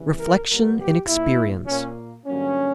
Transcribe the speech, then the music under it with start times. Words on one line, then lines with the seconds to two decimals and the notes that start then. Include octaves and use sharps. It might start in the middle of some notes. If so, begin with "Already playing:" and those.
Reflection in Experience.
Already playing: E2 C#3 E3 G3
0.18 A#4
0.48 A#2 G3 B3 A#4
0.78 G4
1.07 A#2 A#3 E4
1.67 A#2 A#3 C#4
2.26 G2 D3 F#3 A#3 C#4